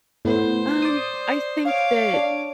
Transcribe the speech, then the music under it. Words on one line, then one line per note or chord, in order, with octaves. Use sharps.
Um, I think that
A2 B3 C5
D5 D#6
C#5 F5 D6
D4